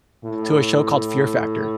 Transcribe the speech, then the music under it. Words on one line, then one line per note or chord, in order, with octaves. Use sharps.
to a show called Fear Factor.
A2